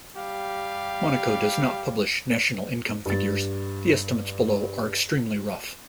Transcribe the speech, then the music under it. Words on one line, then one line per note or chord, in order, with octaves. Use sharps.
Monaco does not publish national income figures; the estimates below are extremely rough.
G3 G4 F5
G2 A6